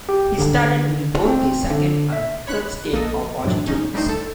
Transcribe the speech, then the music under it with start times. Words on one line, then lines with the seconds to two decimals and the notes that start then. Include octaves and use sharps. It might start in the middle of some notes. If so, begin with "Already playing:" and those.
He started in both the second and third State of Origin games.
0.09 G4
0.38 D3
1.27 C4
1.70 D3
2.12 E5
2.47 C#5 B5 F#6
2.92 A#1 A#3 A4 D#5
3.44 F#2 A2 F#3 D4
3.67 C#4 D#4
3.94 G3 A3 D4 D#4 C5
4.09 A4